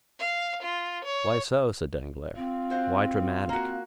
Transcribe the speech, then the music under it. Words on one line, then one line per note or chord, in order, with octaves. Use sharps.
"Why so?" said Danglars; "why dramatic?"
F5
F4
C#5
C4 F4
F#4 C5 F5
A#3 F#4